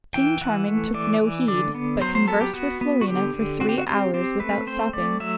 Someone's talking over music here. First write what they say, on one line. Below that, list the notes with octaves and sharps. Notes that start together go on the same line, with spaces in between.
King Charming took no heed, but conversed with Florina for three hours without stopping.
E3 G5
E3 F#5
A3
E3 D5
E3
D3 D5
B3
F#3 C5
C5
B3 A4
G4
B3 F#4
B3
F#4
D3 G4
D3
C4 F#4
G4
F#4
C4 G4
C4 G4
A3 B4
C4 C5
A3 D5
F#3 E5